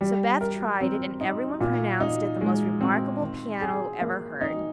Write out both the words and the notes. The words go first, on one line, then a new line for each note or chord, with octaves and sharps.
So Beth tried it, and everyone pronounced it the most remarkable piano ever heard.
G3
A#4
C4
D#4
A#2
D#4
G#3
C4
D#3
G#4
A#3
D#4